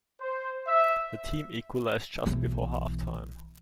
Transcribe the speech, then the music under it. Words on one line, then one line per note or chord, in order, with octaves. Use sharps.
The team equalized just before half-time.
C5
E5
B1 E3